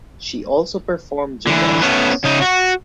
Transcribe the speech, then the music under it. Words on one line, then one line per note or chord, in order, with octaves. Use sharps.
She also performed gymnastics.
D3 E3
A3 B3 C#4
C#3 D#4
F#4